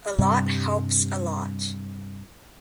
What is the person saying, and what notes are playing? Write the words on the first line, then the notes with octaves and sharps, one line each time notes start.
A lot helps a lot.
G2 C3 G3